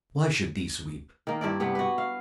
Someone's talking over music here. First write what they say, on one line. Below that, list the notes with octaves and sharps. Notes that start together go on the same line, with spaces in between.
Why should these weep?
D#3 A#3
G2 E4 D5
C3 B3 G4
F#4 B4
F5